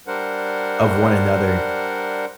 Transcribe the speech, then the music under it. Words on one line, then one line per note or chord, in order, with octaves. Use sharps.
of one another.
G3 D4 A#4 C5 F#5